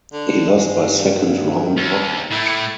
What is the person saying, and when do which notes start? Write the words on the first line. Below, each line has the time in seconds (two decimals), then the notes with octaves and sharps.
He lost by second-round knockout.
0.13 D3
0.57 G2 G#3
1.01 F#2
1.77 D#2
2.31 A2 A3 E4